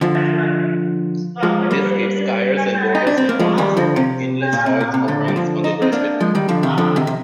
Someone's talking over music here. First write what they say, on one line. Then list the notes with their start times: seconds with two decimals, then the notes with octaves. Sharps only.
This gives skiers and boarders an almost endless choice of runs on their doorstep.
0.01 D3 F3
1.43 F3 G#3
1.71 G3 A#3
2.95 D#4
3.07 D4
3.18 C4
3.29 A#3
3.39 F3 G#3
3.58 D#3 G3
3.77 D3 F3
3.96 C3
4.53 A#2
4.66 C3
4.81 A#2
4.94 C3
5.08 A#2 D3
5.28 G3
5.36 D3 F3
5.64 D#4
5.82 C4 D#4
5.92 A#3 D4
6.20 F3 G#3
6.35 D#3 G3
6.49 D3 F3
6.63 C3 D#3
6.78 D3 F3
6.96 C3 D#3
7.07 C3